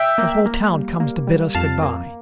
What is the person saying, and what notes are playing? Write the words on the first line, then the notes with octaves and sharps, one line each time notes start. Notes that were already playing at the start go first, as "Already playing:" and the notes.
The whole town comes to bid us good-by.
Already playing: E5 G5
A#3
A#3
G3
A#3
G3
F2 F5 A5
A#3